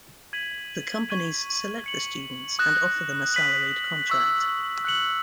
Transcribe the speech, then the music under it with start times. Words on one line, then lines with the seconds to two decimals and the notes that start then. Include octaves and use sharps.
The companies select the students and offer them a salaried contract.
0.33 G#6 B6 D#7 F#7
1.09 C#6 G#6 D#7 F#7
1.84 G#6 C#7 F#7
2.59 D#6 F#6 A#6 E7
3.34 F#6 B6 F#7
4.10 C#6 E6 B6
4.85 F#6 C#7 F#7